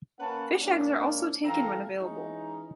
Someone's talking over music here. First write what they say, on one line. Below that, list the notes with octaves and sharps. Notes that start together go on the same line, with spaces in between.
Fish eggs are also taken when available.
A#3 C#4 B4 F#5 A5
G#2 A#3 C#4 D4
E3 A3 C4 A4 F5 A#5
E3 G#3 C#4 D#4